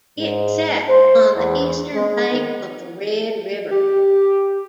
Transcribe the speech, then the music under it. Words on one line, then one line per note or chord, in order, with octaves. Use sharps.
It sets on the eastern bank of the Red River.
G#2
C5
E2
G#3
D#3
G4